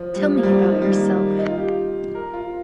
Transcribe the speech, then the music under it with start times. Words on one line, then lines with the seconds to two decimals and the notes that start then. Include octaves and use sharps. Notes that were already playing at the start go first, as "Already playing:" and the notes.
Tell me about yourself.
Already playing: F3
0.16 G3
0.24 F3
0.38 A#3
0.43 G3
0.62 F3
0.72 D#3
0.82 G3
0.91 A#3
1.39 D#4
1.48 F4
1.58 G4
2.15 A#4
2.33 F4